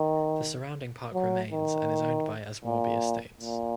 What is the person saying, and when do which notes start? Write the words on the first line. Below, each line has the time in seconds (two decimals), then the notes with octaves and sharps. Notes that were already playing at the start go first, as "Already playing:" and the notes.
The surrounding park remains and is owned by Aswarby Estates.
Already playing: D#3
1.14 F#3
1.52 D#3
2.65 A#2
3.40 A#2